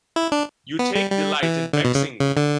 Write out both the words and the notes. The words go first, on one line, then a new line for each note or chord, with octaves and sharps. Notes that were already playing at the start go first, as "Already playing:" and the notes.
You take delight in vexing me.
E4
D4
B3
G3
G3
E3
D3
B2
C#3
C#3
D3